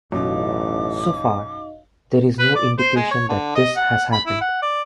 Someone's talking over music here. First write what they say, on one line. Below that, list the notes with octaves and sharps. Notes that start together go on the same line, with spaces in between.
So far, there is no indication that this has happened.
A1 F#2 B2 D#4 D#5 F5 D6
B4
D5
C5
G#3
C#5
D3
D#5
F#5
B5
E4
F#5
D5